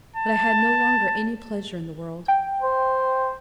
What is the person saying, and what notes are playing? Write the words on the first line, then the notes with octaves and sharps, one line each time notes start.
But I had no longer any pleasure in the world.
A5
G5
C5